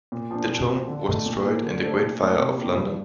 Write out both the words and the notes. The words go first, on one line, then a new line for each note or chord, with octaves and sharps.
The tomb was destroyed in the Great Fire of London.
A#2
F3 A#3 D4
A#2
F3 C4
D3
A3 D#4
A#2
F3 A#3 F4
D3
A3 D4 A4 C5
A#2
A3 D#4 A#4 D5
C3
F3 A#3 D4 G4
G2